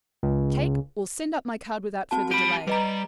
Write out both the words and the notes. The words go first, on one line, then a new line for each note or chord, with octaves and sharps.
Take or send up my card without further delay.
C#2
C4 F#4 A5
G4 B5 D#7
G3 B4 D#5 A#5